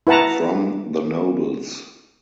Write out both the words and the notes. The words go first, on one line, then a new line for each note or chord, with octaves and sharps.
From the nobles.
E4 B4 F#5 A5 A#5